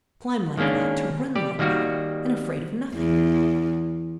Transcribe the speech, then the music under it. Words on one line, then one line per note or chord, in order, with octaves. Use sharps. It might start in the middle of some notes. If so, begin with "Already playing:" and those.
To climb like that! to run like that! and afraid of nothing.
D#3 G#3 A#3 C#4 D4
G4 D5
D#3 G3 A#3 F#4
E2